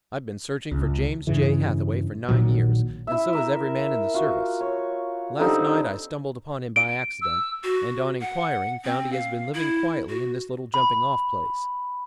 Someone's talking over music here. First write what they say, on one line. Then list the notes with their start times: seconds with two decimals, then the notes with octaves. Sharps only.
I've been searching for James J. Hathaway for nine years, and so has every man in the service. Last night I stumbled upon him by accident, and on inquiring found he has been living quietly in this little jumping-off place.
0.72 C#2
1.27 G2 C#3 E3
2.29 A#1 A#2 D#3 F#3
3.07 E4 E5
3.33 A#4 E5
4.14 F4 F#4
4.61 C#5
5.39 D3 G3 C4 D#4
6.76 D7
7.22 E6
7.63 F#4
8.21 F#5
8.84 C4
9.12 F5
9.54 E4
10.09 F#4
10.74 B5